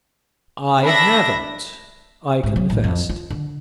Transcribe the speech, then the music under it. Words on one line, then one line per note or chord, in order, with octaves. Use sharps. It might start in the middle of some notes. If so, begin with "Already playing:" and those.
"I haven't," I confessed.
D4 E5 B5 A#6
G#2
F#3
A1
F2
F4
D3